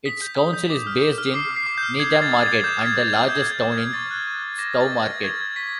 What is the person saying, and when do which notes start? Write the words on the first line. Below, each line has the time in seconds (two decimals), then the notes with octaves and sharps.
Its council is based in Needham Market, and the largest town is Stowmarket.
0.06 D#6 B6
0.22 G6
0.38 D#6
0.53 G6
0.70 D6
0.87 F6
1.02 D6
1.18 F6
1.34 D6 C7
1.51 F6
1.56 C7
1.66 D6
1.78 G6
1.83 F6
1.99 D#6 G#6
2.12 G#6
2.16 G6
2.22 A6
2.32 D#6
2.43 A6
2.48 G6
2.64 D6 G6
2.81 F6
2.86 G#6
2.96 D6
3.08 G#6
3.13 F6
3.29 D6 G6
3.45 F6
3.51 G#6
3.61 D6
3.72 G#6
3.77 F6
3.87 G#6
3.93 C#6 A6
4.11 F#6
4.27 C#6
4.43 F#6
4.58 D6 A#6
4.75 F6
4.81 A6
4.92 D6
5.02 G#6
5.08 F6
5.24 C#6 G#6
5.41 F6 G#6
5.56 C#6 B6